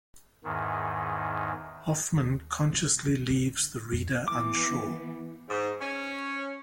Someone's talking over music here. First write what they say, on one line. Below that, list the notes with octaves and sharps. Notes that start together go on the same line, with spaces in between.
Hoffman consciously leaves the reader unsure.
E2 G#2 D#3
D#2
C3
D#3
D3
F2
E3 B3 D6
G#2
C#4